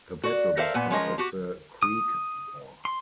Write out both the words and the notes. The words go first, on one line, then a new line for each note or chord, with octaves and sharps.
The battle was part of the Creek War.
F#4 D5
A4 A#4 C5 D5 E5 F5
A#2 B3 G#5
F3 G#3 C#4 F4 A#4 D#5
F#4 G4
D#6
C6